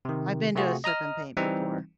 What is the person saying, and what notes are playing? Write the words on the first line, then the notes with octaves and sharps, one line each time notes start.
I've been to a sip and paint before.
C3 D#3
C3 A3 C4 F4 F#4 G#4
D#5 A#5 D#6 F6
E3 G3 C4 D#4